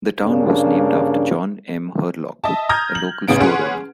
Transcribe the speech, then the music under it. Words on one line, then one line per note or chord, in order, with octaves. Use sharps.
The town was named after John M. Hurlock, a local store owner.
G2 C#3 A#3 D4
D#5 E5 A5
A#5 D#6 F6 G6 G#6 A#6
F#7
A1 C#3 B3 D7
C#4 G#4 B4 F#5 C6